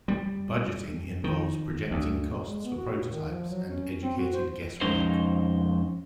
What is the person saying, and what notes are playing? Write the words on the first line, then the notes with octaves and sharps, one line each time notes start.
Budgeting involves projecting costs for prototypes, and educated guesswork.
G3
D#3
D2
G#3
B3
F#4
A#2
D#3
F3
F#3
C#4
C4
F#4
C5
F2 G#3 C#4 D#4 C5